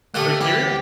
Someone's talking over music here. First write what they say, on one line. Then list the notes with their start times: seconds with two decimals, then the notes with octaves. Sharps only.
Are you serious?
0.14 A#2 D3 A3 A#3 G4 D#5
0.41 E3 G4 A#4
0.63 D2 G5 A6